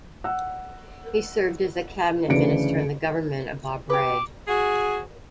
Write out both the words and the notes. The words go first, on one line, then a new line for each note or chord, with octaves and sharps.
He served as a cabinet minister in the government of Bob Rae.
F#5 E6
D2 C#3 E3 D4 C#7 D7
G4 B4 D6
F#4 G#4